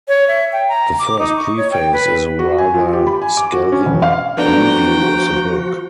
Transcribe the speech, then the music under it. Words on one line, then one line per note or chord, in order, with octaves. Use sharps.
The First Preface is a rather scathing review of the book.
C#5
E5
G5
A#5
D6
D#4
C#6
C#5
G5
B4
F#4
G#5
F3
G4
B5
G#5
D6
F#4
C#4
E1
F5
F3 A3 B3 D4 F#4 G5 A#5